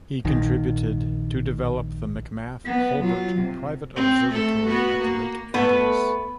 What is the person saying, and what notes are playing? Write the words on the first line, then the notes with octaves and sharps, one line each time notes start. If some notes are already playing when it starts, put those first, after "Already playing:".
He contributed to develop the McMath-Hulbert private observatory at Lake Angelus.
A#1 D#3
B3
F#3 F4
C3
C4
A3 A4
B3 F#4
A#3
A3 B3 B4